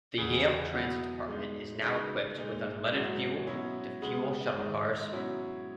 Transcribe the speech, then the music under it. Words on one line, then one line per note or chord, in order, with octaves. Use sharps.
The Yale Transit Department is now equipped with unleaded fuel to fuel shuttle cars.
E2 C#3 E3 B3
B2 F#3 B3 E4
B2 G#3 D#4
C#3 G#3 D#4
A#2 G#3 D#4
G#2 F#3 C#4 E4
B2 F#3 C#4 E4
C#3 G#3 B3
G#2 D#3 G#3
B2 F#3 C#4 E4